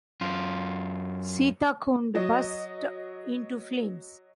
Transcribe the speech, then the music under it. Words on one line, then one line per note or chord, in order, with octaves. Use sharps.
"Sitakund" burst into flames.
F#2 F4
F#3 D#5